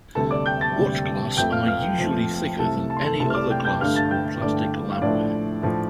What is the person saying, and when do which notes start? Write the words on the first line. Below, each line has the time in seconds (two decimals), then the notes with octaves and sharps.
Watch-glass are usually thicker than any other glass or plastic lab-ware.
0.15 D2 C3 G3 A4 A5
0.31 D5 D6
0.46 G5 G6
0.61 A5 A6
0.76 D2 C3 G3
1.37 F2 F3 A3 G5 G6
1.52 F5 F6
1.67 F5 F6
1.98 F2 F3 A3
2.59 C2 C3 A3 A4 A5
2.90 A5
2.97 C6
3.04 A4 A5
3.19 C2 C3 A3 A4 A5
3.30 F6
3.35 D5 D6
3.50 G5 G6
3.65 G5 G6
3.81 G2 D3 A3 F5 F6
3.95 A5 A6
4.11 G5 G6
4.41 G2 D3 A3 D5 D6
4.92 F5
5.02 A2 F3 A3 D4 D5
5.62 A2 F3 A3